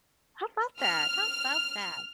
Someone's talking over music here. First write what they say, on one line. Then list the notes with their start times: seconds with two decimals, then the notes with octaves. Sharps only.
How 'bout that? How 'bout that?
0.81 F6